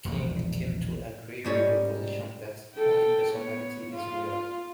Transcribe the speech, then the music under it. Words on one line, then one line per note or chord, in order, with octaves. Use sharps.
King came to agree with the position that only personality is real.
E1 A#1
G#2 G3 C#4
A4 G5
B3 C#5
F4